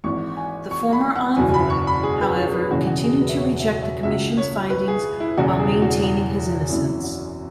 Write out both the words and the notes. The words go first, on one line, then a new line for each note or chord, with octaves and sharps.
The former envoy, however, continued to reject the Commission's findings while maintaining his innocence.
G#1 G#2 E3 C#6
G#5
C#6
B5
F#5
F#1 E2 B2 G#5
G#5
B5
C#6
B5
G#4
B4
C#5
G#4
B4
E1 E2 C#3 E3 F#4
F#4
G#4
B4
E5
C#5
E5
E5
C#2 B2 E5
C#5
B4
G#4
E4
E1 E2 C#3 E3 F#4
G#4
F#4
F#4
G#1 F#2 E3 E4
F#4